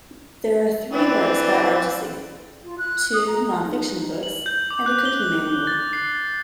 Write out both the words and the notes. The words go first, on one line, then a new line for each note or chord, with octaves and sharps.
There are three works by Artusi: two non-fiction books and a cooking manual.
E3 C4 B4 D5
F4
F#6
D#6
A#5
D#4
D#4
F#7
G6
D6
F#6
G7
A6
C7